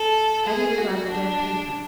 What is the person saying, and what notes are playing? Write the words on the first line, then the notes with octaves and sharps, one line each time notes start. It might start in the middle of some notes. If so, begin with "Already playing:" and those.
How do you regard the burnt paper?
Already playing: A4
G#4
F#4
D4